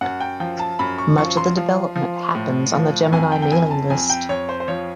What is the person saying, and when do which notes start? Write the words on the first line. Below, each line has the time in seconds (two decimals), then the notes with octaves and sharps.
Much of the development happens on the Gemini mailing list.
0.01 F#2 F#5
0.21 G5
0.40 F3 G5
0.59 A5
0.79 F#2 B5
0.98 C#6
1.18 F3 C#6
1.37 C6
1.57 F3
1.96 F3
2.35 A2
2.74 F3
3.12 F2 G#5
3.32 G5
3.42 G5
3.52 F2 G#5
3.71 A5
3.90 F2 G#5
4.10 G5
4.29 F2 C#5
4.49 C5
4.60 C5
4.68 F3 C#5